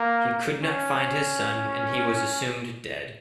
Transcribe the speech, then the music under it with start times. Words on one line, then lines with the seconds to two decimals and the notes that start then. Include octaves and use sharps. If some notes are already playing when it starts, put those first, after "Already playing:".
He could not find his son and he was assumed dead.
Already playing: A#3
0.63 C#4